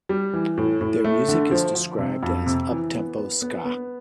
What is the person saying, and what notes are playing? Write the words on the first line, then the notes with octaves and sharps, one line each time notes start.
Their music is described as up-tempo ska.
G3
E3
A2
A2
A3
D3
F3
F3
C3
F2
C3
E3
B3
B3
B3
B3